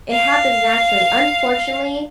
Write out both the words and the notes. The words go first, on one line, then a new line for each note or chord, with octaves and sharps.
It happens naturally. Unfortunately,
F5